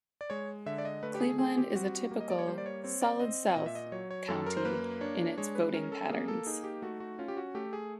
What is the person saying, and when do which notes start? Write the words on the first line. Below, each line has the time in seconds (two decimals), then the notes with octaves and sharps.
Cleveland is a typical "Solid South" county in its voting patterns.
0.21 D5
0.30 G#3 C#5
0.66 D3 E5
0.78 D5
0.85 D#5
1.03 A3 B4
1.15 G4
1.20 G#4
1.38 C4 G#4
1.58 G4
1.75 G3 F#4
2.11 A#3
2.21 D#5
2.30 D5
2.39 C#5
2.48 G3 C5
2.58 D5
2.66 C#5
2.84 C4 C#5
3.02 D5
3.20 C4 D#5
3.56 A#2 D#5
3.66 E5
3.75 D#5
3.92 F#3 C#5
4.11 C#5
4.28 F#2 A4
4.46 A#4
4.57 C5
4.65 A#3 B4
5.01 D4 C#5
5.38 G#3 C#5
5.55 B4
5.74 C#4 A#4
5.92 A4
6.09 A#3 G#4
6.28 A4
6.47 D#4 G#4
6.64 G4
6.82 A3 F#4
7.00 F#4
7.19 C#4 F4
7.28 G4
7.37 F#4
7.55 A3 G4
7.73 G#4